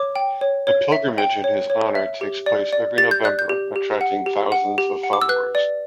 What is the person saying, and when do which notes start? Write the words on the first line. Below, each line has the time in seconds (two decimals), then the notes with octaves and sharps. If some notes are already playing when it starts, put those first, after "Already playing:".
A pilgrimage in his honour takes place every November, attracting thousands of followers.
Already playing: C#5 D6
0.16 G5
0.41 C#5
0.67 C#5
0.92 E5
1.18 G5
1.44 C#5
1.70 C#5
1.95 E5
2.21 G4
2.46 D5
2.73 D5
2.98 G4 A6
3.11 G6
3.24 D5 F#6
3.39 G6
3.49 G4
3.76 G4
4.01 F#5
4.26 G4
4.52 F#5
4.78 G4
5.03 F#5
5.13 D6
5.22 E6
5.29 B4 F#6
5.55 D5